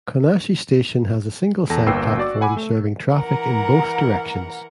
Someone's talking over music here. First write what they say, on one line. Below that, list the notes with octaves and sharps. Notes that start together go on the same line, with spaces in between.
Konashi Station has a single side platform serving traffic in both directions.
E2 A4 A5 A#6
G1 A#3 B4 G5 E6 C7
F#4 D5 D6
F#5 G#5 B5 D6
A3
E3 A#4 F#5 A#5